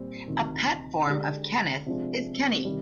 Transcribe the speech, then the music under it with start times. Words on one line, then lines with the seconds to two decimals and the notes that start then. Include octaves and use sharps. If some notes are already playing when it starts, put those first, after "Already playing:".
A pet form of Kenneth is "Kenny".
Already playing: A#2 G3 C4
0.28 D2 C3 D#3
1.07 D3 G#3 D4 G4
1.86 C3 F3 G#3 D4
2.65 C3 D#3 G3